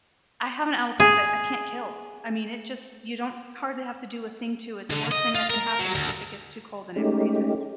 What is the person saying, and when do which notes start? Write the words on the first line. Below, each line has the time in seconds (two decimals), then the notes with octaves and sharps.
I have an aloe plant that I can't kill, I mean, it just you don't hardly have to do a thing to it, the worst thing that can happen is if it gets too cold and it freezes,
1.00 G#4
4.90 D3
5.11 D#5
5.35 F4
5.50 A#4
5.79 F#3
5.95 D2
6.96 G#3 A3 C#4 D#4 G4